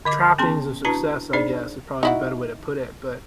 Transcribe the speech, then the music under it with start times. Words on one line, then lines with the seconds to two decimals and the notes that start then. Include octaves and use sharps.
trappings of success, I guess, i probably the better way to put it, but
0.05 D3 D#5 D6
0.38 B3 C#4 G#4 A5 C6
0.85 D4 E4 F#4 B4 A5 A#5
1.33 D4 D#4 G#4 C5 D5
2.03 D#4 E4 F#4